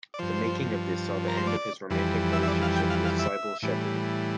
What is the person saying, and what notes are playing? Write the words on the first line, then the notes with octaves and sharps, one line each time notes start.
The making of this saw the end of his romantic relationship with Cybill Shepherd.
D5
G2 F3 C5
A#4
C5
D5
F2 E3 G3
E5
E5
D5
F5
G5
F5
F5
E5
A2 E3 G3